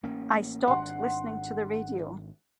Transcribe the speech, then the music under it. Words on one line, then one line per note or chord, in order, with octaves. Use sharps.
I stopped listening to the radio.
A1 A#3 C#4
G#1 D4 F#5 C6